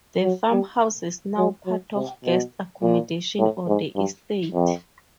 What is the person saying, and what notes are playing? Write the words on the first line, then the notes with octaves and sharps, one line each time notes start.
The farmhouse is now part of guest accommodation on the estate.
F#3
G3
F#3
F#3
C3
B2
A#2
A2
G#2
G2
F2